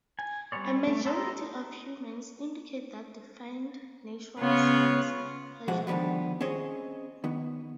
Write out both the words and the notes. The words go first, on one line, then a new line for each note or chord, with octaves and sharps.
A majority of humans indicate that they find natural sounds pleasurable.
G#5
G3 B3 C4 C#5 D5
A3
B3 A4 C5 D#5 A#5
C#3 B3 F4 C#5
B1 F2 F3 G#3 F#4 F#5
D3 D#3 F3 G3 B3
C4 C#4 G#4 C#5 D#5
D#3 B3